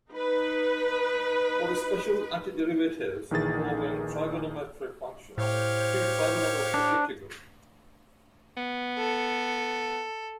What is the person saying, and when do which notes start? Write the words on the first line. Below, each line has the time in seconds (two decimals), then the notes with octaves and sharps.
For the special antiderivatives involving trigonometric functions, see Trigonometric integral.
0.12 D#4 B4
3.31 A#1 D#3 E3 G#4 A6
5.38 A2 G4 C5 C#5 F5
6.74 D4
8.57 B3
8.97 A4